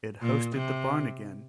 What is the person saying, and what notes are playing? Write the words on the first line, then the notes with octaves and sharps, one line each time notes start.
It hosted the Barn Again!
A#2
C3